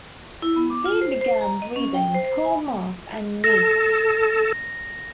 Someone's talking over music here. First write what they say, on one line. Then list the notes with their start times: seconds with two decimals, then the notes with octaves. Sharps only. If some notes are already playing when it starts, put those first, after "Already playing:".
He began reading Karl Marx and Nietzsche.
0.42 E4
0.56 B3
0.70 D6
0.86 F4
1.01 C5
1.21 C5
1.41 A#5
1.62 D#5
1.76 C#4
1.94 G5
2.15 C5
2.45 G#5
3.44 A4 A#6